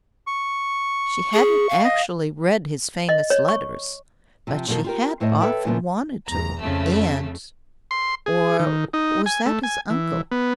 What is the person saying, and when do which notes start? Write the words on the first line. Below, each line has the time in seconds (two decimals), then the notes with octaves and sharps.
She hadn't actually read his famous Letters, but she had often wanted to, and--or was that his uncle?
0.27 C#6
1.34 G#4
1.69 F5
1.84 D#5
3.09 D#5
3.30 C#5
3.48 C#6
4.47 C3 F3
4.68 F2 B2 F3 F#3 F4 A#4
4.84 F4 G4 A#4
5.20 D#2 A2 C5 C#5 D#5
5.40 A4 B4 C#5 E5 G5 A5
5.65 A#2 C#3 E3 F3 A#3 B3
6.27 E2 A#5
6.62 F2 C#3 A3
7.91 C6
8.26 G#4
8.59 D#3
8.93 D#4
9.26 G#5
9.46 A3
9.63 G#5
9.90 E3
10.32 B3